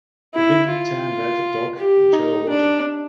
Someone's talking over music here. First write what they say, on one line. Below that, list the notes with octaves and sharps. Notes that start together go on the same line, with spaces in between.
A big tan wet dog in shallow water.
E4
F4
G4
D#4
D4